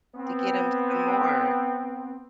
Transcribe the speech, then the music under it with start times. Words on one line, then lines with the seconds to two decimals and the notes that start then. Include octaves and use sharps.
to get 'em some more.
0.15 B3 C4